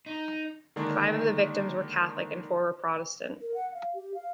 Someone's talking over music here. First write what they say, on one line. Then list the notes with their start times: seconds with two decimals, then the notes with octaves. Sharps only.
Five of the victims were Catholic and four were Protestant.
0.06 D#4
0.76 D3 D#3 G#3 A#3 D4
3.41 A#4
3.54 F#5
3.74 F5
3.94 G4
4.14 F5